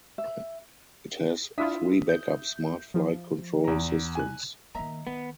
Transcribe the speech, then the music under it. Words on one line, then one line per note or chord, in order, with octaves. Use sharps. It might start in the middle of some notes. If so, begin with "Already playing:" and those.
It has three backup smart flight control systems.
E5
D4 E4 F4 E5 D#6 B6
G6
F3
E2 A#5
G#5 F#6
D#3 A#3 D#5 E5 A#5
D#3 B3